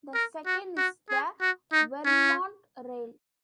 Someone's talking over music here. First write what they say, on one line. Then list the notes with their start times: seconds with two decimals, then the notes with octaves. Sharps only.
The second is the Vermont Rail.
0.14 A#4
0.46 F#4
0.77 F#4
1.10 G#4
1.41 F#4
1.72 D#4
2.05 C#4